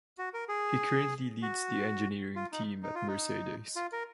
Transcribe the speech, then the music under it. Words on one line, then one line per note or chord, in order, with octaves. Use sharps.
He currently leads the engineering team at Mercedes.
F#4
A#4
G#4
F#4
F4
D#4
D#4
F4
D#4
F4
A#4